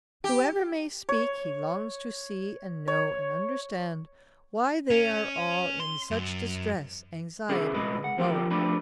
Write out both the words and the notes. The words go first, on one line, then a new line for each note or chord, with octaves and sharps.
Whoever may speak, he longs to see and know and understand why they are all in such distress, anxiety, and woe.
G4
C#5
C#5
C#4
C6
F#2
C#3 C#4 E4 G#4 A4 B4
C2 A#2 G#3 B4 D#5
F#5
D#2 F3 A#3 F4 G4 G5
F3 A3 D4 G4 B4